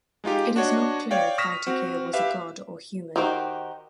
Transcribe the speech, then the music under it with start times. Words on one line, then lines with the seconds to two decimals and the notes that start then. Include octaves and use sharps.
It is not clear if Vaitakere was a god or human.
0.24 G#3 D#4 F4 G4
0.56 D4 F#4 C#5 D#5
1.11 C#5 D5 F5 G5
1.38 C#6 D#6 F6 A#6 B6 E7
1.67 C4 F#4
2.13 G4 B4 E5 F5
3.16 D#3 F#4 G4 A#4 C5